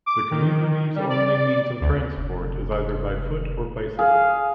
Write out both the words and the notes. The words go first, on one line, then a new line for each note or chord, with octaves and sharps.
The community's only means of transport is either by foot or bicycle.
D6
D#3
G3
D5
D2
F1
G#4 F5